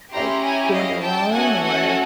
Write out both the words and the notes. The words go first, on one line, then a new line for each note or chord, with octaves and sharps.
like, doing it alone? Or
C#4 E4 G4 A#5 C6
G#5 A#5
D#5 F5
G5 A5
A3 C#4 F#4 A4 F#5 G#5
F#5 G#5